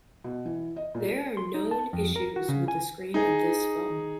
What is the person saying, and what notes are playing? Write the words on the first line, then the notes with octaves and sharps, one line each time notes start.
There are known issues with the screen of this phone.
B2
E3
D#5
A#2
C6
D#4
A5
F2
A#4
F#4
C#3
G#5
D#4 G#4